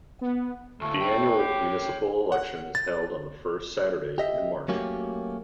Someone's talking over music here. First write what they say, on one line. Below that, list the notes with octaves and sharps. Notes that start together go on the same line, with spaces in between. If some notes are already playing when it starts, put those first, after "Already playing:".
The Annual Municipal Election is held on the first Saturday in March.
B3
D2 A2 A3
C#5 G5
G4
F#5
A6
G4 D#5 E5
F#3 A3 A#3 C#4 F#4 G4